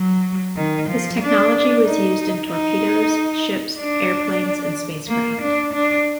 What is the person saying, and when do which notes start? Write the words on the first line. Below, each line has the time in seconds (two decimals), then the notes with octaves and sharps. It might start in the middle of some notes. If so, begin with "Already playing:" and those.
His technology was used in torpedoes, ships, airplanes, and spacecraft.
Already playing: F#3
0.57 D#3
0.89 F3
1.21 D4
1.86 D#4
2.50 D#4
3.80 D4
5.09 A#3
5.41 D4
5.73 D4